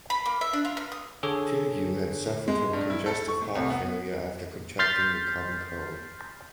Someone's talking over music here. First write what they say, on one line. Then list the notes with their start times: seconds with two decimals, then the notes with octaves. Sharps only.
Tilyou had suffered from congestive heart failure after contracting the common cold.
0.10 B5
0.26 A#3
0.41 E5
0.53 D4
0.65 F4
0.77 F6
0.92 D#6
1.23 D3 G#4 A4 C#5
2.48 G#3
2.73 G2
2.90 E4
3.06 A4
3.28 C#6
3.41 A3
3.55 C2
3.70 B3
4.79 C6 F6 G6 A6 B6 C7